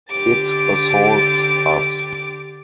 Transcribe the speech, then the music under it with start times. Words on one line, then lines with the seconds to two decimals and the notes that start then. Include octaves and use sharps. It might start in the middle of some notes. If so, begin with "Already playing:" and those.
It assaults us.
0.10 D3 G4 D6 A6